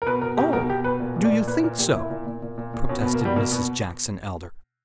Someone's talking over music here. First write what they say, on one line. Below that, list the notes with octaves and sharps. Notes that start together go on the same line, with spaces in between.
"Oh, do you THINK so?" protested Mrs. Jackson Elder.
A#4
B2 B4
B2 A#4
B2 G4
B2 A#4
B2 G4
B2 B4
A#2
A#2
D5
A#2
A#2 B4
A#2 A#4
A#2 G4
A#2 E4
A#2
A#2
A#2
A#2
A#2
B2 C#4
B3
B2
A#3
B2 G3
B2 A#3
B2 B3